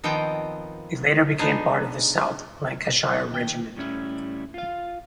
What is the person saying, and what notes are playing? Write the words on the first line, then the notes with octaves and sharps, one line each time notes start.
It later became part of the South Lancashire Regiment.
D#3 F3 B3 C4 D#5 G5
B3 D4 D#4 G#4
D#2 G5
A2 G3 C#4 E4
F4 F5